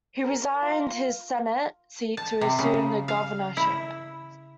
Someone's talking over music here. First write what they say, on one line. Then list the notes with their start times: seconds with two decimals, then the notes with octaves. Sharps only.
He resigned his Senate seat to assume the governorship.
0.24 A#4
0.62 F4
2.17 A5
2.41 C3
2.59 C#3
3.08 F5
3.57 E4